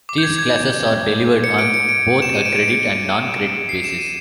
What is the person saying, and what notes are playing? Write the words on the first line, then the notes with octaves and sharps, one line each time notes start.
These classes are delivered on both a credit and non-credit basis.
D6
G6
G#6
G#6
C#7
D7
C#7
D7
E7
D#7
D7
D7
C#7
C7
E7
D#7